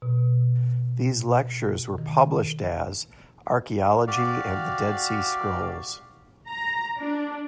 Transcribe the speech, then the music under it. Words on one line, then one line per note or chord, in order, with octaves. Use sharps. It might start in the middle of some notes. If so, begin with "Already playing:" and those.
These lectures were published as "Archaeology and the Dead Sea Scrolls".
B2
D#3
F#4 G4 D5 F5
A#5
D4